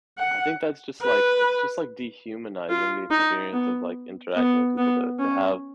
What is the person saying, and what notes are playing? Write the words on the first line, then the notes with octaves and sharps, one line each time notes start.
I think that's just, like it's just, like, dehumanizing the experience of, like, interacting with people to to have
F#5
B4
F4
D#4
B3
B3
B3
C#4